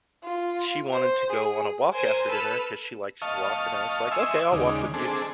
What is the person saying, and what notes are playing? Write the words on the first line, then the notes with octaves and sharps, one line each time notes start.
she wanted to go on a walk after dinner, 'cause she likes to walk, and I was, like, "Okay, I'll walk with you,"
F4
C5
G#4
A#4 C5 G#5
A4 B4 E6 F6
D#5 F5 A5 C#6
D#5 E5 G#5 C6 C#6 E6
D#2 C#3 G#3 D#4 D5
C4 D4 G#4 A4